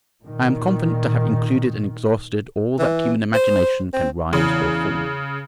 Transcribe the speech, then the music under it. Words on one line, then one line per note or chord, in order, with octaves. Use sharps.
I am confident to have included and exhausted all that human imagination can rise or fall to.
A#2 D#3
E3
C5
C4
E2 C#3